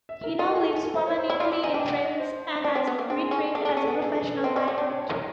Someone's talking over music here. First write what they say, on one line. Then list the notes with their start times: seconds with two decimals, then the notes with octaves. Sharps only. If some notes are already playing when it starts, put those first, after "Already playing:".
He now lives permanently in France and has retrained as a professional pilot.
0.09 E5
0.24 A#4
0.39 D#4 A4
0.54 G#4
0.69 A4
0.84 A#4
0.95 C5
1.06 C#5
1.18 C5
1.30 E4 C#5
1.40 F4 D5
1.52 E4 D#5
1.63 D#4 G#5
1.74 D4 G5
1.89 F#5
2.04 D#5
2.19 C5
2.64 D4
2.75 C4
2.87 B3
2.99 A#3
3.09 C4 G#4
3.25 G#4
3.31 C#4
3.40 A4
3.54 D4 G#4
3.65 D4 A4
3.77 C#4
3.84 B3 A4
4.00 G#4
4.15 A4
4.29 B4
4.44 C4 D#5
4.56 C4 D5
4.67 C#4 C#5
4.78 D4 D5
4.90 C#5
5.01 C#5
5.12 A#4